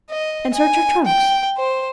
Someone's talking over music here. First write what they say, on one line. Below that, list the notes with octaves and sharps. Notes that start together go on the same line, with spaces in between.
"And search her trunks?"
D#5
G#5
G5
C5